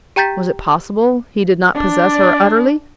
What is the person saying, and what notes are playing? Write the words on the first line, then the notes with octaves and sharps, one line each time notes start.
Was it possible he did not possess her utterly?
G4 G5 A#5 G6 A6 B6
D4 D5